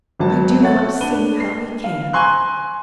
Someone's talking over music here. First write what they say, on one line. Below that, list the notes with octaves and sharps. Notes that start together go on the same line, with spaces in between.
I do not see how he can.
G#1 F#3 A5
A3 C#5 F#5 A6
D4 B4 D#7 G7
C7
F5
G#5 A#5 C6 C#6 F#6